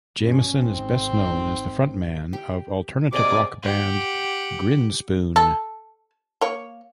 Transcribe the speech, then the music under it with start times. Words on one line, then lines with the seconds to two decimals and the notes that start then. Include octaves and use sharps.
Jamieson is best known as the front man of alternative rock band Grinspoon.
0.18 G2 B2 C#4
0.53 G#1 G#2 C4
2.33 G4
3.13 C3 A#3 F#4 G#4 D5 D#5 D6
3.63 G4 F#5
5.36 A4
6.41 A#3 C#5